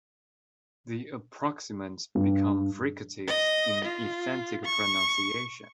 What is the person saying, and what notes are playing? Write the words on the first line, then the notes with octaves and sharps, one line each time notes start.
The approximants become fricatives in emphatic pronunciation.
G2
D#5
F4
C#6